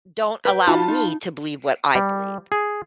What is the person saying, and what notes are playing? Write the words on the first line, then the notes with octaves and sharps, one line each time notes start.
don't allow me to believe what I believe,
B4 G5
D#4 F4 F#4 A5 B5
D#4
G3
G#4